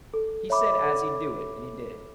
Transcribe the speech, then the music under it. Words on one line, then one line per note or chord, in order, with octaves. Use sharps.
He said as he'd do it, and he did.
A4
C#5 E5 B5 D6
A4